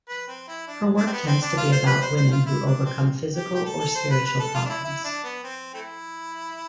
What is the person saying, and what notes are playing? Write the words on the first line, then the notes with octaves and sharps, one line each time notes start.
Her work tends to be about women who overcome physical or spiritual problems.
B4
C4
E4
D4
D4
C4
B3
C4
D4
F4
C5
B4
C5
C5
F4
E4
D4
C4
G4
G4
A4
A4
C5
B4
B4
A4
F4
D4
E4
E4
D4
B3
C4
A3 C4 E4